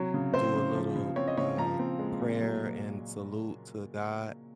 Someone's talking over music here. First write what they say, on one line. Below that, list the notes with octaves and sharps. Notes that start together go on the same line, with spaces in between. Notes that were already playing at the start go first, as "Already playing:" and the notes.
do a little, uh, prayer and salute to God.
Already playing: C3 F#3 C#5
C#3
C4 C5
C#3
F3
C#3
C4 C#5
D#5
C#3 C#5
F3 A#5
C4
G#3
A#2
F#3